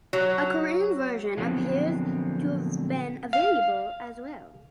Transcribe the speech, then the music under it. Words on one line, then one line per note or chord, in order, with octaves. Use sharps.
A Korean version appears to have been available as well.
F#3
A#2 D3 F3 F#3 B3 C4
F5